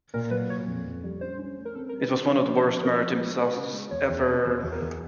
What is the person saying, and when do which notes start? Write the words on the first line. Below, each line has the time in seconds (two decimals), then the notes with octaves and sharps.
It was one of the worst maritime disasters ever.
0.14 A#2 A#4
0.31 F#3 B4
0.49 A#2 C#5
0.67 F2
0.85 F2
1.03 G3
1.21 C#4 C5
1.39 C#4
1.58 A3
1.65 A#4
1.75 C4 A4
1.89 A#4
1.93 G3
2.02 B4
2.11 D#3 C5
2.29 F3 C#5
2.47 D3
2.56 C5
2.65 F3
2.83 F3 A#4
3.01 F3
3.19 G#3
3.37 G#3 B4
3.56 C#3
3.73 G#3
3.91 E2 C#5
4.09 E2
4.26 C3
4.45 E2 C5
4.63 E2
4.72 A#4
4.81 E2